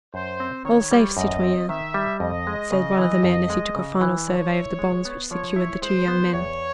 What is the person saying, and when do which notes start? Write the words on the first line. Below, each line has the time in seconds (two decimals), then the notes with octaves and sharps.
"All safe, citoyen!" said one of the men, as he took a final survey of the bonds which secured the two young men.
0.14 F#2 C5
0.40 C4
0.65 D#3 C#5
0.91 G3
1.17 F#2 D#5
1.43 C4
1.69 D#3 E5
1.94 G3
2.20 F2 D#5
2.47 G#3
2.72 C#3
2.99 E3
3.23 F2
3.50 G#3
3.76 C#3
4.01 E3
4.27 F3 C#5
4.54 E4
4.79 G#3
5.05 B3
5.31 F3 C#5
5.56 E4
5.82 G#3 C5
6.08 B3
6.33 E2 C#5